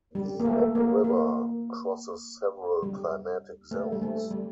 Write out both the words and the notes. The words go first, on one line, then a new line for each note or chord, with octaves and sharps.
The Ob River crosses several climatic zones.
G3
A#3
A3
A#3
A#3
G3
A3
G3
A3
G3